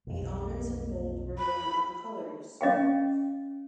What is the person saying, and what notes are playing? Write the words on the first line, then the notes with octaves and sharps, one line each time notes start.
The honours in bold were worn on the Colours.
B1 F2
B5
C#4 D#5 F5 G5